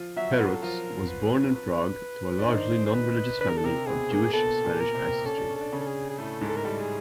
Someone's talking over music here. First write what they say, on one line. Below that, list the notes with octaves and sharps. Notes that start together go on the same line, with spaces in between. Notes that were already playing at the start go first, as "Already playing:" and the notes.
Perutz was born in Prague to a largely non-religious family of Jewish-Spanish ancestry.
Already playing: F3 F4
F#3 F#4 E5
F4
F#3 F#4 B4
A4
F3 F4 A#4
B4
B4
D4
D#3 D#4 C5
C5
B4
D3 D4 B4
A#4
A4
C3 C4 A#4
B2 B3 G#4
A#2 A#3
B2 B3 A4
A#2 A#3
A#4
C3 C4
C#4 A4
D4
C#4
D4 A4
C#3 C#4
A4
G#4
G#4
A2 A3 A4
G#2 G#3
A4
A#4
G3 A4
G#4